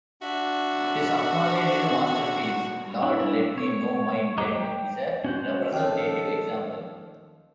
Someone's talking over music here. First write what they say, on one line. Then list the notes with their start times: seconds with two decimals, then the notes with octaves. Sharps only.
His acknowledged masterpiece, "Lord, let me know mine end", is a representative example.
0.22 D4 F#4 E5
3.03 D4 E4
3.58 C#5
4.38 F#3 D#5 A#5 D6
4.55 G5
5.24 C#4 F#4 C5
5.73 D#2 F3 C#4 A4 C#5